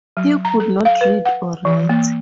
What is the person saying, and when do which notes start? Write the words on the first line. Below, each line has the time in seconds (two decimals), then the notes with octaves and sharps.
He could not read or write.
0.17 F#3
0.45 A#5
0.60 A4
0.85 F5
1.01 B4
1.25 F#5
1.65 E3
1.89 A#3